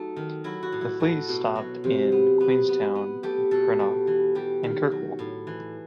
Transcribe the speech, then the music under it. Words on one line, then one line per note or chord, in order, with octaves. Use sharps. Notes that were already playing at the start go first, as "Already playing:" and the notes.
The fleet stopped in Queenstown, Greenock, and Kirkwall.
Already playing: F#3 A3 D#4
D#3
F#3 E4
F#4
A2
E4
A3 F#4
B2
F#3
C3
B3
B3
B3
B3
A3 G4
B2 A4
G3
E3
G3 G4
D#3
F#3
A2
E3